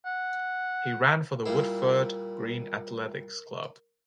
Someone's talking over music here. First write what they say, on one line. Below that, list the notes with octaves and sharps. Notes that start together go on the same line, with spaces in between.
He ran for the Woodford Green Athletics Club.
F#5
A#2 G3 E4 A#4